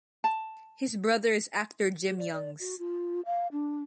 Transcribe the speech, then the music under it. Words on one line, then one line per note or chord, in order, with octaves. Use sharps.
His brother is actor Jim Youngs.
A5
G4
D5
D5
F#4
F4
F5
D4